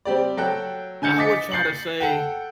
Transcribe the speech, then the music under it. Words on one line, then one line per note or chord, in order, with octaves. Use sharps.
I would try to say
G3 C4 G4 D5
F#3 A4 G5 F#6
D3 G#5 G6 C#7
D#5 D6 A6 B6 C#7
G6 A6 C7 C#7 F#7
A4 F#5 G5